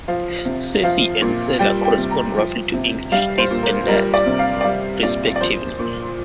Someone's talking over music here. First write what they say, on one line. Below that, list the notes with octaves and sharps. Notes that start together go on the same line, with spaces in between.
"Ceci" and "cela" correspond roughly to English "this" and "that," respectively.
F3 F5
C3
F3 F5
A#2
G3 G5
G5
C3
A#5
F3
C3
G3 F5
C5
A#2
A#4
G3 A#4
D5
C3
F5
D5
G3 F5
A#2 D5
D5
F3 C5
A#2